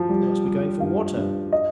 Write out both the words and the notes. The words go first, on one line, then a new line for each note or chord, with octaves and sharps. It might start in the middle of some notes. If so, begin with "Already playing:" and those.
'They must be going for water.'
Already playing: F3
G3
G3
G2 F5
G2
D#5